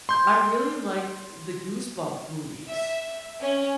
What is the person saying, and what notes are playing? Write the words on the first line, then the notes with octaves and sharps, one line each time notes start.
I really liked the Goosebump movies.
C6 G6
E5
C#4